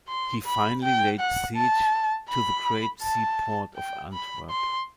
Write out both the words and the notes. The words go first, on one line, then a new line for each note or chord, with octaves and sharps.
He finally laid siege to the great seaport of Antwerp.
C6
B5
G5
F#5
A5
B5
A5
G5
B5
C6